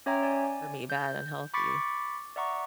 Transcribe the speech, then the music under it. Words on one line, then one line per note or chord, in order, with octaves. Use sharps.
for me bad, unhealthy.
C#4 C#5 E5 G5 A#5
D5 G#5
G6
B5 C#6 D6 A6 B6 C#7
D5 E5 F#5 A#5 C#6 D6